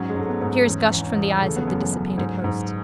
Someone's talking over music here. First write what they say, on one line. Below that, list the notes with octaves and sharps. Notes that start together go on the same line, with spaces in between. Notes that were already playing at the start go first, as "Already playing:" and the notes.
Tears gushed from the eyes of the dissipated host.
Already playing: G#2 F#3 C#4
G#3
G#2 A3
B3
G#2
E2 C#4
E2
C#4
E2
C#3 A3
B3
F#2 A3
F#2
G#2
G#2